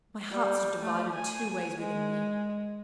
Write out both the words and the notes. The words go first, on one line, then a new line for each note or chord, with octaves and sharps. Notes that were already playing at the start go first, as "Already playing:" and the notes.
My heart stood divided two ways within me.
G3
A3
G#5
G#3